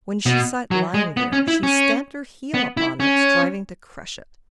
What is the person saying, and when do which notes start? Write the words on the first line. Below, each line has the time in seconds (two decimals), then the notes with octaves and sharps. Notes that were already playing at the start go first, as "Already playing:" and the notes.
When she saw it lying there, she stamped her heel upon it, striving to crush it.
0.26 B2
0.71 F#3
0.94 G#3
1.17 B3
1.33 C#4
1.48 E4
1.63 C#4
2.54 B3
2.77 E4
3.00 C#4